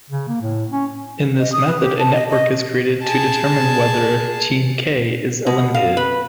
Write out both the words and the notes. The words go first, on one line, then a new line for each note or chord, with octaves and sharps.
In this method a network is created to determine whether team "k" is eliminated.
C#3
A#3
A2
C#4
D#5
D#6
B4
G4
A5
D#5
D#5
G#4 A5
B2
F5
B4